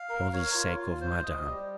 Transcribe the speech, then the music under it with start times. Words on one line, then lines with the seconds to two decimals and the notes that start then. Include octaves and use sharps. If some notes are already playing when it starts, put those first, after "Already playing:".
For the sake of Madame.
Already playing: F5
0.09 A#4
0.33 C#5
0.55 F4
0.79 F4
1.01 C5
1.23 D#5
1.46 G3